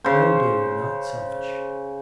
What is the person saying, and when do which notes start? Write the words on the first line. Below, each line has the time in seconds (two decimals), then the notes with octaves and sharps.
'No, dear, you're not selfish....
0.04 C#3 C5